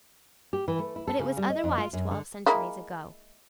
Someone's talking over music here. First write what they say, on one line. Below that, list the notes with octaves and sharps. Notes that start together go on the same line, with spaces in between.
But it was otherwise twelve centuries ago.
G4
E3
A3
E4
A4
C#3
G3
D#5
F2
F4
F#2
D3
G#3 A#3 E4